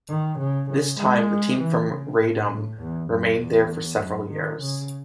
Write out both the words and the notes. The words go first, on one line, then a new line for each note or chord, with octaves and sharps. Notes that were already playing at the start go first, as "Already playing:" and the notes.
This time, the team from Radom remained there for several years.
D#3
C#3
C#3
G#3
E3
C#3
A2
E2
F#2
E2
F#2
D#3
C#3